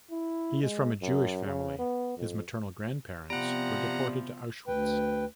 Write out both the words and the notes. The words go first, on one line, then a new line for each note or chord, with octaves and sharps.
He is from a Jewish family; his maternal grandparents were deported to Auschwitz.
E4
G#3
F#2
C#3
B3
F2
C3 F3 G3 B3 F#5 A#5
D2 B4 G5